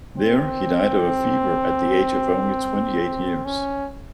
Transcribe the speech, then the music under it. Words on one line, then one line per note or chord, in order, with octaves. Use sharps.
There he died of a fever at the age of only twenty-eight years.
C4
C#4